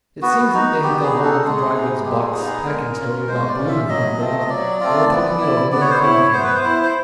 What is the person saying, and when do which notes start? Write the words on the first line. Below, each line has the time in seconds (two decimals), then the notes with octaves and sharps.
It seems that they had got hold of the dry-goods box packing story about Balloon, one day, and were talking it over when the Colonel came in.
0.22 B3 F#4
0.53 D#4 F#4
0.83 B3 G4
1.04 G#4
1.14 D#4 F#4
1.24 A4
1.44 G#3 G#4
1.75 B3 D#4
2.05 G#3 G4
2.20 A4
2.26 G#4
2.36 B3 D#4
2.46 G#4
2.66 G#3 A#4
2.97 C#4 F4
3.28 G#3 C5
3.48 D5
3.58 C#4 F4
3.69 E5
3.89 F#3 D#5
4.19 A3 C4 F4
4.39 D#5
4.49 F#3 D5
4.80 A3 C4 F4
5.11 B3
5.41 E4
5.72 B3 D5
5.81 C#5
5.90 C5
6.00 E4 C#5
6.33 B3 C5
6.44 B4
6.54 C5
6.64 E4
6.83 C5